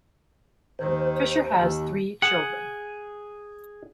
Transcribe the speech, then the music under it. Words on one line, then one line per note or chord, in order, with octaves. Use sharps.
Fisher has three children.
D#2 D#3 C5
D#2
G#4 F#5